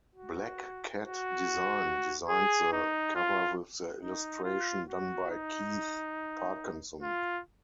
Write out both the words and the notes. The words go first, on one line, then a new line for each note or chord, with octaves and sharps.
Black Kat Design designed the cover with the illustration done by Keith Parkinson.
F#4
F#4
G#4
D#4
F4
D#4
F4
F#4
D#4
F4